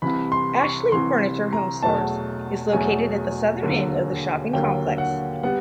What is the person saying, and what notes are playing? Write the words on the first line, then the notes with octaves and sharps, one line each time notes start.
Ashley Furniture HomeStores is located at the southern end of the shopping complex.
C2 C3 E3 B5
C6
C#6
C2 C3 E3 C6
A#5
E2 B2 F#3 A3 A5
E2 B2 F#3 A3 G#5
D#2 D3 F#3 A#3
D#2 D3 F#3 A#3 G5
F#5
G3 B3 F#5